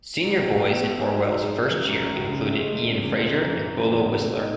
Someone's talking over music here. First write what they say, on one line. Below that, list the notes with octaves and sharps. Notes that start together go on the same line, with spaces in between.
Senior boys in Orwell's first year included Ian Fraser and Bolo Whistler.
F#3
A1
A2
B3
A3
G#2
F#3
G#2
G#3
F#2
E3
F#2
F#3
C#2
C#3
A3
G#3
E2
C#3
E2
G#3
F#2
E3
F#2
E3
E2
C#3
B3
D#4